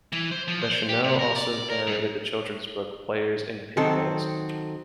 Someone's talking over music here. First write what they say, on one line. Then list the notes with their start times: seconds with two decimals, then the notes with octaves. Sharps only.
Deschanel also narrated the children's book "Players in Pigtails".
0.12 E3
0.32 C5
0.48 F3
0.62 C5
0.89 G4
1.04 C3
1.19 A#4
1.36 D5
1.70 A#4
1.87 G#2
3.77 D#3 F#3 C4 A4